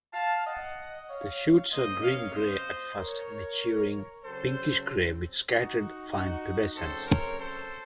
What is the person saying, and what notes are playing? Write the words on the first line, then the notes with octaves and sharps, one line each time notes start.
The shoots are green-grey at first, maturing pinkish-grey, with scattered fine pubescence.
F5 A5
D#5 F#5
C#5 F5
C3 F#3 A#3 C#4 C5 D#5
C#5 F5
C5 D#5
A#4 C#5
C#3 F#3 C4 A4 C5
D#4 F#4
D#4 F#4
F#2 C#3 A3 C4 A4 C5
A#4 C#5
A4 C5